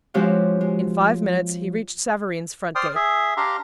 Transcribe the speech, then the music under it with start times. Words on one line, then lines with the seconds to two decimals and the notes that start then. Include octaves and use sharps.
In five minutes he reached Savareen's front gate.
0.14 F3 G#3 C4 C#4 F#4 G4
0.61 G#3
2.75 C5 D5 G5 C6 D#6 F6
2.95 G#4 E5
3.37 D4 G4 F5 A#5 C6